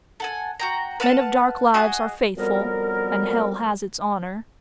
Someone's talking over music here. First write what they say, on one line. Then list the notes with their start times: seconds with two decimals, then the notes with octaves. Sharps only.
Men of dark lives are faithful, and hell has its honour.
0.20 A4 F#5 G#5
0.60 F#4 G5 A#5
1.00 B4 F5 F#5 A5
1.74 F#4 G#4 D#5 F#6
2.37 F2 F#3 G3 B3 A#4